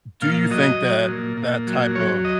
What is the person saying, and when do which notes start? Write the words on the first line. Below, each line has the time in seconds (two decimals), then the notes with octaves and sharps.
do you think that that type of
0.22 A#2 F5
0.50 F#3 D#5
0.80 F#3
1.08 A#2
1.37 A#2
1.67 F#3
1.95 F#3 C#5
2.25 D#5